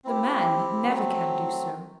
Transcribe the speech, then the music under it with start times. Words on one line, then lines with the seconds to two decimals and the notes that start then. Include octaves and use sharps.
The man never can do so.
0.04 C4 E4 G4
0.87 F#3 A3 C4